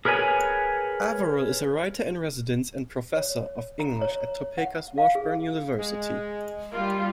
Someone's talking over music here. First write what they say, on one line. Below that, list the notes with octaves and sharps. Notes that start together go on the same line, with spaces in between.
Averill is a writer-in-residence and professor of English at Topeka's Washburn University.
G#4 A#4 B4 C#5 G#5
C#5
A#5
C#5
F#5
F5
G#4
G#3
G3 A#3 F4 F5